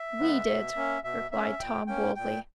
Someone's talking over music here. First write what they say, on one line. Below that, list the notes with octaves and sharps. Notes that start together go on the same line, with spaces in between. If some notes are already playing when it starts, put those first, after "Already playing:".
"We did," replied Tom boldly.
Already playing: E5
C#3 G#3 B3
B2
A#3 C#4
B2 E5
A#3 C#4 E5
A#2 G5
A#3 C#4 G5
A#2 G5